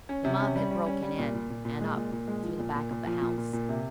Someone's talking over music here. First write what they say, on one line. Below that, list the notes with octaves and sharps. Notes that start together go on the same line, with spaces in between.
The mob had broken in, and up, through the back of the house.
C#4
C3
C#4
G3
G3
C#4
G3
A#2
A#2
A#2
A#2
G#3
A#2
A#2
G#3
F3
A#2
A#2
A#2
F3
A#2
A#2
A#2
C3